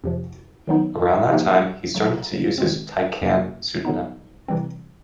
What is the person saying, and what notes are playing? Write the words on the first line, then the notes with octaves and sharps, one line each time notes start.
Around that time, he started to use his "Taikan" pseudonym.
F2 C3 F3
D#3 F#3 B3 D#4
F3 A#3 D#4 G4
C#3 F#3 A3
D#3 G#3 C4
F2 C3 F3 A#3
D3 F#3 B3 D#4
C3 E3 G3 C4